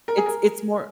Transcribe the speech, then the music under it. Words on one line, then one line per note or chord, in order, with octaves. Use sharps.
it's it's more
A#4
G#4
A#4